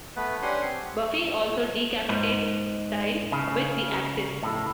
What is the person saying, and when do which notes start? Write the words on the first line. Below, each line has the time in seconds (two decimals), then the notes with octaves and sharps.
Buffy also decapitates Cecile with the axes.
0.16 A3 B3 B4
0.42 C#4 D4 G4 F#5 G#5 C6
0.62 C4
2.09 G#2
3.32 C#3
4.43 A2